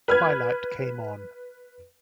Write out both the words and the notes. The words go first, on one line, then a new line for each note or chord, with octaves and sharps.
Twilight came on.
B4 F6 G#6